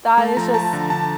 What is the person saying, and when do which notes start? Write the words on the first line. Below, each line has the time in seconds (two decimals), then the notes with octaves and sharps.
that is just
0.18 A3 A5
0.37 F3 A#5
0.54 F3 A5
0.73 D3 A#5
0.90 D3 A5